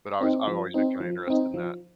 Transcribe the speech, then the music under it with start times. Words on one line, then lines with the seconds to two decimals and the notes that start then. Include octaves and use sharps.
But I was I've always been kinda interested in that.
0.21 C4 D#4
0.48 F3
0.74 C4 D#4
1.00 F3
1.27 C4 D#4
1.54 F3